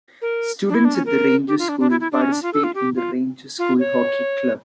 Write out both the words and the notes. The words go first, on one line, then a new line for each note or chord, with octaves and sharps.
Students at the Ranger School participate in the Ranger School Hockey Club.
A#4
D4
E4
D4
C#4
A#4
G4
F4
D4
D4
E4
E4
D4
C#4
D4
F4
A4
F4
G4
F4
F4
C#5